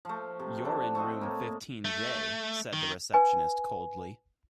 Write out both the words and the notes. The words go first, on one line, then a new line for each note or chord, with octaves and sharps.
You're in room fifteen J, said the receptionist coldly.
F3 A3
C3
D4 A4
A3 C4 F#4 D#5
A2 A#3
A3
D#3
B4 G#5